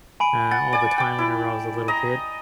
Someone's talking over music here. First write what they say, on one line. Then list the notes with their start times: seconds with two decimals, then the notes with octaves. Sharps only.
uh, all the time whenever I was a little kid,
0.20 G#5 B5 D7
0.51 F#5 A6
0.73 D5 G#5
0.98 G5 D6
1.19 E4
1.88 D#5 A#5